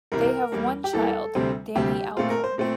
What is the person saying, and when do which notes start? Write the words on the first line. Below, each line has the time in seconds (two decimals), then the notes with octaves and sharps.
They have one child, Dani Alcorn.
0.12 C2 C3 E3 A#4
0.52 E2 E3 G3 A#3
0.84 G4
0.93 E2 E3 G3 A#3 A4
1.35 D2 C3 G3 C4
1.75 D2 C3 G3 C4 G4
2.17 A#2 A3 C4 F4
2.30 A#4
2.44 C5
2.58 A#2 A3 C4